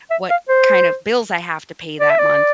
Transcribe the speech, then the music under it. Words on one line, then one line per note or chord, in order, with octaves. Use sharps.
what kind of bills I have to pay that month,
E5
F5
C5
D5
E5
D5